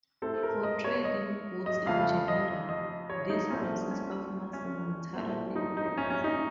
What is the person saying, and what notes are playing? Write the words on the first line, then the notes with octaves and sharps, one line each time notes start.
For trade in goods in general, these consist of maximum tariff levels.
A2 A3 C4 A4
A#4
D#5
C#5
D#5
D#5
F2 C#3 F3 A3 F5
D#5
D#5
C#5
D#4
C2 A#2 A3 C4 C#4
C#4
C#4
C2 A#2 A3 C4
D#4
D#4
C#4
C#4
D#4